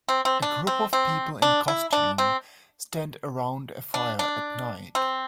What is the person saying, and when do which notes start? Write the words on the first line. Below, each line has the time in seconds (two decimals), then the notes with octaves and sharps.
A group of people in costume stand around a fire at night.
0.08 C4
0.25 C4
0.42 D4
0.67 C4
0.93 C4
1.42 D4
1.68 E4
1.93 D4
2.18 C4
3.94 D4
4.19 D4
4.95 C4